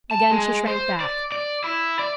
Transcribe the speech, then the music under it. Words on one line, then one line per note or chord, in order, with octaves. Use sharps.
Again she shrank back.
A5
G#3
C5
D5
D5
E4
D5